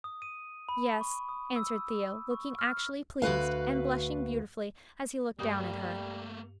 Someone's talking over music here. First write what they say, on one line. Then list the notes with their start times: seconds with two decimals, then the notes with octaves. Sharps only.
"Yes," answered Theo, looking actually pleased, and blushing beautifully as he looked down at her.
0.04 D#6
0.22 D#7
0.69 B5
1.01 C#6
1.29 D#6
1.56 E6
2.31 C#6
2.59 F6
3.22 D2 F#4 B4 F5
5.39 G2 G3 A3 A#3 G4 D#6